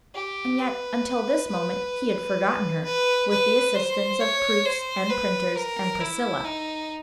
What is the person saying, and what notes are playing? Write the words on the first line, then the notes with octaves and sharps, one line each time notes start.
And yet, until this moment, he had forgotten her, with the assistance of proofs, and printers, and Priscilla.
G4
B4
B4
B4
B4
C5
C#5
C5
B4
A#4
E4
D#4